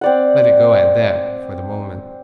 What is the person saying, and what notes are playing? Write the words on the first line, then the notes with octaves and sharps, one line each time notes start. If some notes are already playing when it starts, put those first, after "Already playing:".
Let it go at that, for the moment.
C4 D5 F#5